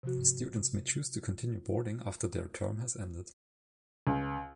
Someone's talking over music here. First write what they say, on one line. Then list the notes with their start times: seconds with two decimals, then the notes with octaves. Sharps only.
Students may choose to continue boarding after their term has ended.
0.03 C3 F3 F#4
4.07 C#2